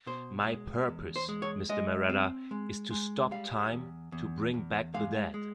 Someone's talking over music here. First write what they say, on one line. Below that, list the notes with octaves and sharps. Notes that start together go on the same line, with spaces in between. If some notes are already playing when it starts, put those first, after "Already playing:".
My purpose, Mr. Marratta, is to stop time, to bring back the dead.
B2 C5
G#3
E2
C5
G#3
C#5
G#3 D#5
C4
G#3
G#3
G3 F5
E2
E2
E2
G#3 F5
G#3